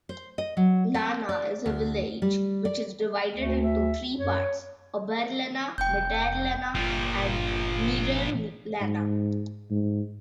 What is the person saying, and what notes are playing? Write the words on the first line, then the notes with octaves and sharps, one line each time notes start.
Lana is a village which is divided into three parts: Oberlana, Mitterlana and Niederlana.
C5
D#5
F#3
C4
D5
D2
G3
D5
D2 A3
E5
F#2 C#5
F1 G5 G6
G1 A#2 F3
G#2
G#2